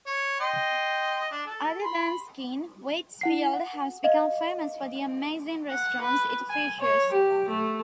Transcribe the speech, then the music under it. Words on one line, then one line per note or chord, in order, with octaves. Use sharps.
Other than skiing Waitsfield has become famous for the amazing restaurants it features.
C#5
D#5 G5 C6
D4
A4
B5 C6
E4 F#5 C7
F#5
D#5 F5
F#5
B4
G#5
C#5
G4
A3